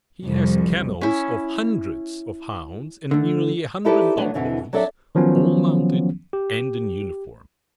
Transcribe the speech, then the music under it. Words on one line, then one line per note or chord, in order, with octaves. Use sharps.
He has kennels of hundreds of hounds and nearly a hundred dog-boys--all mounted, and in uniform.
C2 F2
C#4 E4
D3 A3
D#4 E4 G4 A4 B4 D5
F#3 A3 B3 D4
B2 D3 E3 C4 D#4
F#3 D4 A4 D5 E5
D#3 F3 F#3 B3 C#4
G4